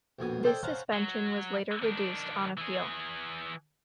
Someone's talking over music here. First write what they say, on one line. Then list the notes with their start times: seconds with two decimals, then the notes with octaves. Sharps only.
This suspension was later reduced on appeal.
0.19 A#1 F2 B2 G#5 D#6
0.43 A4 C5 D5 D#5 G5 G#5
0.63 C#4 C5 F5 F#5 A5 A#5
0.93 F#3
1.82 D#3 D4
2.58 E3 G#4